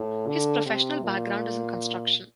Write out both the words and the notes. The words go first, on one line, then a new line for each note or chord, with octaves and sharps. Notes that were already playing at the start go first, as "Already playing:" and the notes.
His professional background is in construction.
Already playing: A2
D3
C3
A#2